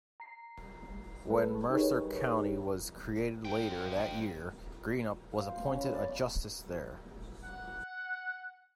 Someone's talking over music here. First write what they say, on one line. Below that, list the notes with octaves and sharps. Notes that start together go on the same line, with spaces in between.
When Mercer County was created later that year, Greenup was appointed a justice there.
A#5 C7
G#3 A4 B4
D#4 G4 G#4 A#4 B4 C#5
F3 G5
F5
C5
C#4
B5
D5
F#5